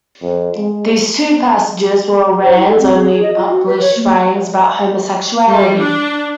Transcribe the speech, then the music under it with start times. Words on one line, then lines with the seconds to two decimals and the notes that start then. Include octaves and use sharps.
These two passages were Rand's only published writings about homosexuality.
0.22 F2
0.57 G#3
2.43 C5
2.57 E4
2.68 A4
2.81 C4
2.96 G#4
3.11 G#4
3.23 D#5
3.36 F4
3.51 F#4
3.66 B4
3.81 C#5
3.96 A#3
5.47 G3
5.79 D4